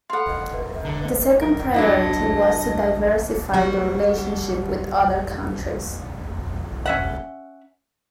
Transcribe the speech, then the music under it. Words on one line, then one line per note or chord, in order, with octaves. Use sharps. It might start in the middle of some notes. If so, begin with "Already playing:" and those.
The second priority was to diversify the relationship with other countries.
A4 F5 F#5 B5 C6
D3 A#5
A#4
F#3 D4 E4 D#5
G3 F#4
C#4 E5 F#5